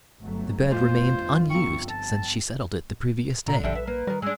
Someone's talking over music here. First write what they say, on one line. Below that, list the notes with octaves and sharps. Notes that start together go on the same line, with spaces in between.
The bed remained unused since she settled it the previous day.
G1 F#3 A3
G1 F2 A3 F4 C5
B3 G5 C#6
A5
B2 D3 A#5
A#1 F2 D3 G3 E5
B4 E5
A#3 B4
D#3 G3 A#4
G#3 D4 E6